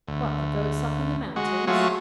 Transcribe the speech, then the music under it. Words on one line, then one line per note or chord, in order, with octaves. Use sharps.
"What, the goats up in the mountains?"
D2
G#3 F#4
F#3 A3 F4 F#4 G#4 C#5